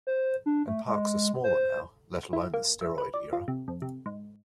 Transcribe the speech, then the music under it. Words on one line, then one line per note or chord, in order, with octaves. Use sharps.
And parks are smaller now, let alone the steroid era.
C5
D4
A3
G#3
C5
E4
A#3
E5
B4
D5
F4
C3
F2
C3
G#2